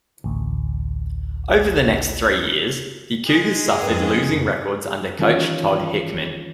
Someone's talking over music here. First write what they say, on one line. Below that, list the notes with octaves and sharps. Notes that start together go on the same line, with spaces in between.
Over the next three years, the Cougars suffered losing records under coach Todd Hickman.
A1 D2
G#3 G#4
F2 G#2 C#4 A#4 B4 G5
D#3 E3 G3 C#4 F4 C#5